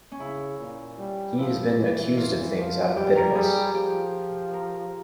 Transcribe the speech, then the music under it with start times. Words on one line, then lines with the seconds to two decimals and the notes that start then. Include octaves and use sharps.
He has been accused of things out of bitterness.
0.12 C#4
0.20 C#3 E4
0.59 A#2
0.99 G3
1.38 F3 E4
1.77 E3
2.17 F4
2.57 F3
2.96 G3 G4
3.16 A#4
3.35 G3 G#4
3.55 G4
3.74 F3 G4
4.53 A#4